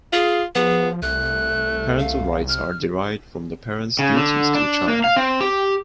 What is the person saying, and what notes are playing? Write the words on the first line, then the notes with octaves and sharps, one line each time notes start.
Parental rights are derived from the parent's duties to the child.
F4 G#4
F3 B3 G#4
C2 A3 F#6
F5
F6
C#3
D3
D4
A#3
F5
C4
G4